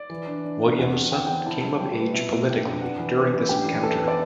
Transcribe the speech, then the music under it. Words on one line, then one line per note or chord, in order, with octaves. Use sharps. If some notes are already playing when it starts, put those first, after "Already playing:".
Williamson came of age politically during this encounter.
Already playing: D5
E3
D4
D4
D4
E2 F#5
C4
C4 G5
F#5
C4 G5
E4 A5
G3
G3 G5
B4
B2 E5
B2
G4
D4
B3 F#5
E3
B3
F#2
D4 G4
E3
E3 A4
B3
D5